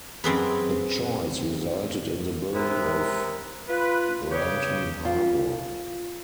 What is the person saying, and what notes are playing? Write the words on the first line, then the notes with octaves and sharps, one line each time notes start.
The choice resulted in the building of Granton Harbour.
F#2 C4 G#4 B4
C3 G#3 B3 E4 A#4
F4 B4
G2 C#3 G4 C#5
F4